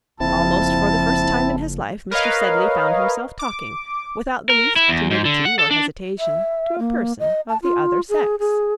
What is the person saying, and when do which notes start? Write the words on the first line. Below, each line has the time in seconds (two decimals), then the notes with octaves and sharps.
Almost for the first time in his life, Mr. Sedley found himself talking, without the least timidity or hesitation, to a person of the other sex.
0.20 F#1 F2 F3 C4 E4 A5
2.11 A#4 B4 C#5 D#5 F5
3.39 D6
4.50 A#4
4.76 E4
4.89 E2
5.11 G#2
5.25 D3
5.45 F#5
5.59 A4
5.71 D4
6.19 E5
6.79 A#3
7.19 D#5
7.49 A5
7.63 F4
8.09 G#4
8.39 G#4